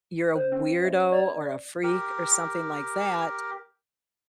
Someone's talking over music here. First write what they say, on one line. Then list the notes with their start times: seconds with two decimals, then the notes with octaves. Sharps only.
you're a weirdo, or a freak, or something like that,
0.35 C5
0.52 C#4
0.85 E5
1.12 D5
1.83 G4 A#4